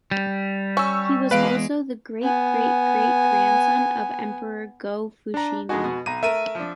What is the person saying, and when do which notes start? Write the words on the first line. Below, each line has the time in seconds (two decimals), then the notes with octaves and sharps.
He was also the great-great-great grandson of Emperor Go-Fushimi.
0.11 G3
0.77 C#4 C#6 E6
1.31 E2 G#3 B4 F5 D7
2.22 B3 G#5
5.34 D4 A#5
5.69 F2 G#3 D#4 F#4 G#5
5.84 B2
6.06 B1 A#5 D#7
6.23 A3 A#4 E5 D#7
6.55 F3 D4